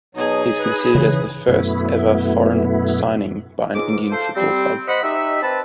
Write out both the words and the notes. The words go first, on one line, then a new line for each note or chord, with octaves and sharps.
He is considered as the first ever foreign signing by an Indian football club.
B2 F#3 D#4 G#4
B4
C#3 E3
F#2 B2 A3 B3 E4
C#2 G#2 D6
F4 A4 C5
G3 C4
C5 D#5 F#5 B5
D#4 G4 E5
C4 B4 A5